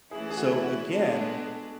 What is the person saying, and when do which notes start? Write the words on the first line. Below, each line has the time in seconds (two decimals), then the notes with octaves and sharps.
So, again,
0.11 E3 A3 C#4 E4 G#4
0.30 G#4
0.37 F#4
0.63 F#4
0.88 G#3 B3 D4 A4